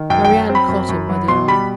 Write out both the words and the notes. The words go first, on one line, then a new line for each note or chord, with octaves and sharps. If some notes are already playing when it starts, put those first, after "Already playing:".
Marie-Anne caught him by the arm.
Already playing: D#3
F#2 G5
F#3 G5
C4
B5
F#2
F#2
F#3
B2 C6
G3 B5